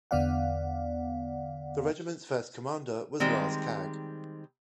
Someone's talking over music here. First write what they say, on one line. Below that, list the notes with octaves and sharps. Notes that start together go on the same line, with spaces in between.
The regiment's first commander was Lars Kagg.
E2 D3 B3 D5 F5 F#5
D#3 G3 G#3 C4